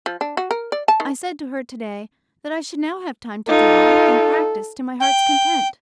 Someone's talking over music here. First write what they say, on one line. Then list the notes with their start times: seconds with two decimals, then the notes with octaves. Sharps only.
I said to her today that I should now have time to draw and practice to my heart's content.
0.06 F3
0.21 D4
0.37 F#4
0.51 A#4
0.72 D5
0.88 A5
1.00 D#3
3.48 D#4 F4 A4
5.00 G5